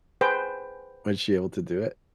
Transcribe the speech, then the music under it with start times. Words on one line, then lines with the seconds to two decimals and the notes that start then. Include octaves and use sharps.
Was she able to do it?
0.21 G#4 B4 C5 G5